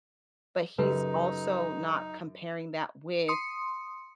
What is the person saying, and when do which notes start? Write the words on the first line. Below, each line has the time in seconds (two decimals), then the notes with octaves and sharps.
but he's also not comparing that with
0.78 F#2 C#3 D#4 G4 A4 B4
3.28 C6 D#6 C#7